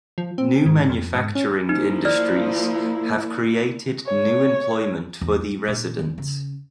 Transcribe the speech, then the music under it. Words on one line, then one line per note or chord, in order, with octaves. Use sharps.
New manufacturing industries have created new employment for the residents.
F3
C4
G#2
F2
G#2
C#4
F3 A#3 D#4 E4
D5 F6
C#5
E2
G3
A#2
E2
C#3